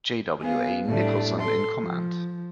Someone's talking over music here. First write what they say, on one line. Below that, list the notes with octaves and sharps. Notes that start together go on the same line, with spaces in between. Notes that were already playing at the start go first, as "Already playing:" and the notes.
J. W. A. Nicholson in command.
B3 G#4 F5
A2 G3 A3 D4
A4 C6
F3